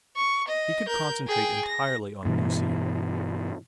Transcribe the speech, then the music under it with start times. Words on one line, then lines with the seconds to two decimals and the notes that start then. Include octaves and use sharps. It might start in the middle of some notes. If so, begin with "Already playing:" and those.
He could concentrate entirely on Lucy.
0.16 C#6
0.48 D#5
0.87 A#4 G6
1.27 G#4 G5
1.65 A#6
2.25 G2 B2 E3